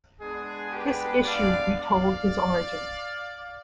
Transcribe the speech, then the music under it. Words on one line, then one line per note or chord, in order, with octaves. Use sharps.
This issue retold his origin.
G#3 B3 D4 G#4
G4 B4
D5 F5
D5 F5